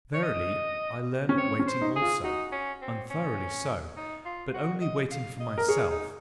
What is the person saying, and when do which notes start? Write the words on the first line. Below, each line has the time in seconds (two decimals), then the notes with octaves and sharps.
Verily, I learned waiting also, and thoroughly so,--but only waiting for MYSELF.
0.14 C#5
0.23 D#5
1.29 C#4
1.37 C4 C#5
1.59 C#4
1.67 C5
1.81 D#4
1.96 G#4
2.02 F4
2.24 D#4 F#4
2.52 C#4
2.82 C4
3.10 C#4
3.97 D#4
4.25 F4
4.54 F#4
4.82 D#5
5.11 F5
5.40 D#5
5.58 A#4
5.68 G#4 C#5
5.90 D#4